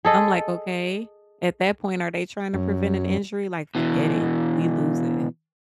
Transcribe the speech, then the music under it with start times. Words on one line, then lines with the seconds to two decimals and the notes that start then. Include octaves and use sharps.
I'm like, "Okay? At that point, are they trying to prevent an injury?" Like, "Forget it. We losing."
0.05 G#4 A4 D#5
2.54 F#2
3.75 B2 E3